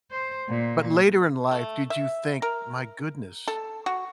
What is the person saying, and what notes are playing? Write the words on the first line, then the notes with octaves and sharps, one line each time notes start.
but later in life, did you think, "My goodness,
C5
A#2
A3
E5
A#4
A4
F#4